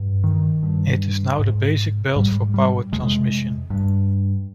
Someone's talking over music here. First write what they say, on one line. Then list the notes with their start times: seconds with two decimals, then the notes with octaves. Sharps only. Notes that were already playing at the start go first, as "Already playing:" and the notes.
It is now the basic belt for power transmission.
Already playing: G2
0.24 D#3
0.63 G2
1.39 G#2
2.16 G#2 G3
2.54 G3
2.92 F2 C3 G#3
3.70 G2